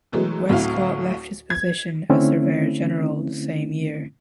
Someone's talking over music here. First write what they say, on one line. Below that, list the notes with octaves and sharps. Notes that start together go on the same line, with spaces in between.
Westcott left his position as surveyor general the same year.
B2 E3 F#3 G#3 A3
D2 A2 F#3 C4 E4 F5
G#6
D3 A3 C4 C#4 E4